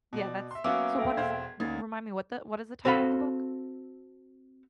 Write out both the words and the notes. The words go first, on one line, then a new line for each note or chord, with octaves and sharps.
Yeah, that's so, what is r remind me what the what is the title of the book?
B2 D5
E5 C6
F#3 A#3 B3 C#4 E5 D6 E6
A4 E5 G5
E1 C5 F5 G#6
D2 A#3 C#4 D#4 A6
C4 F#4 A4 F5 B5